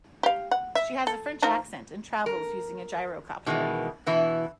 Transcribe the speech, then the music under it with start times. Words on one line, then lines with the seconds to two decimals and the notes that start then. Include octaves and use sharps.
She has a French accent and travels using a gyrocopter.
0.23 G4 F5
0.51 F#5
0.75 E5
1.07 A4
1.42 F3 D#4 A#4
2.26 A#4
3.46 B2 D#3 E3 G#3
4.06 B2 E3 E4